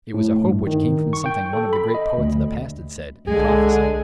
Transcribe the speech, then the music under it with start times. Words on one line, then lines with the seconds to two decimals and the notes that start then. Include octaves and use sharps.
It was a hope which came from something one of the great poets of the past had said, in prophecy.
0.14 A2
0.43 G2
0.67 D#3
1.13 C#6
1.26 G5
1.53 A4
1.73 B5
1.95 D#5
2.18 D2
3.27 C2 D3 G#3 G#4